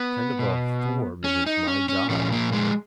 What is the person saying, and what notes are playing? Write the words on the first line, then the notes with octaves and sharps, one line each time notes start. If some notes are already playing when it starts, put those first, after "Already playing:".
Kind of a form in his mind's eye.
Already playing: B3
B2
C#4
D#4
C#4
C#4
A#2 F3 C#4
A#3
G#3